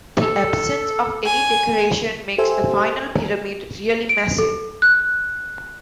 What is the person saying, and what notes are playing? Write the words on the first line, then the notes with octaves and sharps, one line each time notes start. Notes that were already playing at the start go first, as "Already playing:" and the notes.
The absence of any decoration makes the final pyramid really massive.
A4
G#5
G4 A4 C5 E5 G#5 E6
D7
A4
F#6